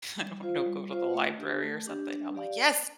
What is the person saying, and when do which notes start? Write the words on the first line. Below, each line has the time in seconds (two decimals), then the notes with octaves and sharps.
I don't know, go to the library or something, I'm like, "Yes,
0.18 G3
0.42 F4 C5 F5
0.66 G3
0.90 F4 C5 F5
1.14 A3
1.38 D4 G4
1.62 A3
1.86 D4 G4
2.11 D4
2.35 G4 D5 F5